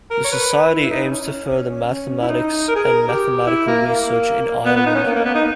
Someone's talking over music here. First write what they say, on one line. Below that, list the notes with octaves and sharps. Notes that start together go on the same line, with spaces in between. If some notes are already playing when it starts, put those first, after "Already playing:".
The society aims to further Mathematics and Mathematical research in Ireland.
A#4
C#5
B4
E4
E4
D#4
D#4
C#4
C#4
E4
D#4
A#4
G#4
A#4
G4
E4
A#3
A#3
B3
B3
D#4
C#4
A#3
A#3
B3
D#4